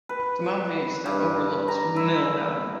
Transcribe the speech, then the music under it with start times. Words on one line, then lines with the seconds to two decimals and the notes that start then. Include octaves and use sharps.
Tamalpais that overlooks Mill Valley.
0.09 B4
1.06 G2
1.68 A#5
1.96 E4